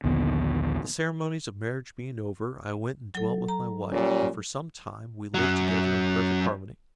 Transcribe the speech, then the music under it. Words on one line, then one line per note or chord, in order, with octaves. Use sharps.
The ceremonies of marriage being over, I went and dwelt with my wife and for some time we lived together in perfect harmony.
A#1 D#2 D3 B3
F#3 A4
A#5
A#2 G3 C#4
F#2 F#3